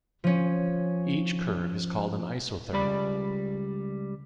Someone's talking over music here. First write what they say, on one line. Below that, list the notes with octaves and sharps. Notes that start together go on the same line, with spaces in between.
Each curve is called an isotherm.
F3 C#4
C#2 G3 D5 B5